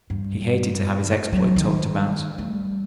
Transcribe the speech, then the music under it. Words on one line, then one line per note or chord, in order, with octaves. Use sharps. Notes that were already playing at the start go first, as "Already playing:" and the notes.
He hated to have his exploit talked about.
G2
F#3
D#3
G3 A3